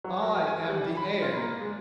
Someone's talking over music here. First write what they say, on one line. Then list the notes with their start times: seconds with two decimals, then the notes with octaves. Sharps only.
"I am the heir."
0.04 F#3
0.22 A#4
0.36 F6
0.47 G#5
0.69 G3
0.97 B5
1.22 F4
1.37 A#3
1.61 G#3